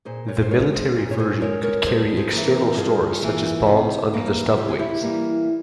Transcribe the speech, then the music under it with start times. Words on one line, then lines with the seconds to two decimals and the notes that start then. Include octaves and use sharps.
The military version could carry external stores such as bombs under the stub wings.
0.05 A#2 G#4 C5
0.28 A#4 C#5
0.42 C5
0.51 G#3 A#4 C#5
0.73 G#4 C5
0.96 A#2 F4 G#4
1.11 C#5
1.18 G#4 C5
1.41 G#3 A#4 C#5
1.63 A#4 C#5
1.86 G2 G#4 C5
2.17 G#4 C5
2.32 E3 A#3
2.46 G4 A#4
2.77 G2 F4 G#4
3.22 E3 A#3
3.67 C3
4.13 E3 G3 A#3
4.57 C3 G4
4.69 G#4
4.79 E4 G4
5.02 E3 G3 A#3